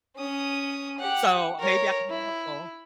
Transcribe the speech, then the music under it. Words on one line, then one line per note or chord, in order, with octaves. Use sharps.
so maybe I can be more helpful.
C#4 D#6
G4 F#5
A#4 C#5
E4